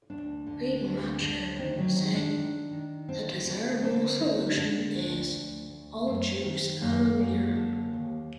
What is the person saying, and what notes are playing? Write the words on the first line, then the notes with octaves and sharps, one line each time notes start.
Rademacher said: "The desirable solution is: all Jews out of Europe".
D2 D4
D3
D2
D3
D#3 C4
F#3
D#3 F#3
D4
D#3
D#3
D3 C4
C4
D3
D3 C4
D3 D#4
D3 D4
D2
D2
D2
F#2 C4
D#3
F#2 A#3
F#2
D3
D#2